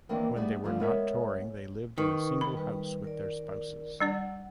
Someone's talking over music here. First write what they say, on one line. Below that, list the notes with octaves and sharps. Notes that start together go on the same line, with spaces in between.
When they were not touring, they lived in a single house with their spouses.
D#3 E3 A#3 C4 D4
G3 A3 B3 G#4 D5
D3 E3 F3 G3 A3 C4
G#3 B3 A#4 C#5 E5
D#3 D#4 B4 C#6
B5
G3 B4
A#4 D5
G3 D4 D5 F#5